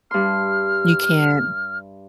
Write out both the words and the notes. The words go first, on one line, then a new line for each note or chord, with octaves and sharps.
You can't.
G2 C6 F6